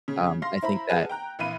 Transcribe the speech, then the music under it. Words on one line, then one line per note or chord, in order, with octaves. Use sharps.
um, I think that
C#3
F5 C6 A#6
E4 C5 A#5 B5
G#4 B4 F5 F#5 G#5 A5
G5 A#5 F#6
A#1 E3 F5 B5 D#7